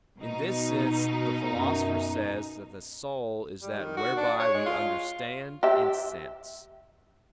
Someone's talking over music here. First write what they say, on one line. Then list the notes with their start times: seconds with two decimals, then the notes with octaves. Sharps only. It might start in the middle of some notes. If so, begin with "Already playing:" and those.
In this sense the Philosopher says that "the soul is that whereby we understand and sense."
0.19 B2 D#4
1.52 F#2
3.62 G3
3.79 D#3
3.97 F#4
4.17 D4
4.40 C#5
4.54 G#3
4.66 F4
5.63 G4 E5